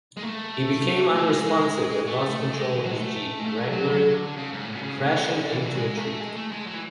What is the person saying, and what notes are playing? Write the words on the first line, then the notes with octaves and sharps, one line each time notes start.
He became unresponsive and lost control of his Jeep Wrangler, crashing into a tree.
G#3
A3
G#3
A3
G#3
A3
A3
G#3
E3
F#3
G#3
A3
G#3
A3
G#3
F#3
E3
F#3
D3
C#3
G#2
A2
B2
C#3
G#2
A2
B2
C#3
D3
E3
F#3
G#3
A3
G#3
A3
G#3
F#3
E3